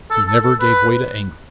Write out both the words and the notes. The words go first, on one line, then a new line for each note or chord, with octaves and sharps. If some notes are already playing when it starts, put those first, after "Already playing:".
He never gave way to anger.
A4
A4
A4
B4